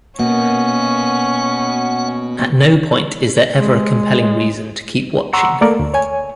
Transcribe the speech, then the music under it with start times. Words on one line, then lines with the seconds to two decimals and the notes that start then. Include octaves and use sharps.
At no point is there ever a compelling reason to keep watching.
0.20 B2 A#3 C#4 F#5
3.54 G#3
5.33 F#5 A#5 C6 C#6 E6
5.61 A3 A#3 A4 A#4 D5
5.79 D2
5.94 C#5 G#5